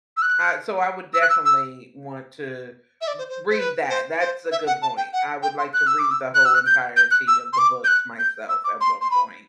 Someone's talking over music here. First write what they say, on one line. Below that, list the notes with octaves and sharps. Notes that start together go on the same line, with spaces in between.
I so I would definitely want to r read that, that's a good point, I would like to read the whole entirety of the books myself at one point.
E6
F#6
E6
F#6
E6
E6
E5
D5
C5
C5
C5
B4
C5
C5
E5
F#5
A5
G5
F#5
G5
C6
F#6
E6
D6
E6
F#6
E6
F#6
G6
G6
F#6
E6
C6
D6
G6
F#6
G6
E6
D6
C6
C6
B5